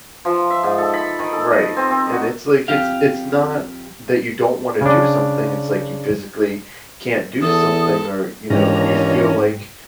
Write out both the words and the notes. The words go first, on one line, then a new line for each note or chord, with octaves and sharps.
right, and it's, like, it's it's not that you don't wanna do something, it's like you physically can't do something or, you know, you feel like
F3
E5
G#2
A4
B5
D#3
A4
D#5
C4
C4
F#4
F2 G4 F5
C#3 D4
E2 A4 D#6
D#2 G#2 E3 C#4 D4 G5 A#5